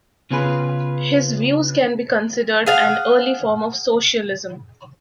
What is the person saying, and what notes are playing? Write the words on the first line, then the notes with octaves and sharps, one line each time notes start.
His views can be considered an early form of socialism.
C#3 B3 C#4 F4 G#4 B4
G#4 F5 F#5